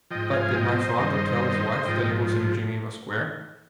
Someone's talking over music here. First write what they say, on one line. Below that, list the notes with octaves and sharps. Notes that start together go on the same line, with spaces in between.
"But did my father tell his wife that he was in Geneva Square?"
G#2 F3 D#5 G5
F5 G#5
D#5 G5
C5 D#5
G2 D#3
G#2 F3 D#5 G5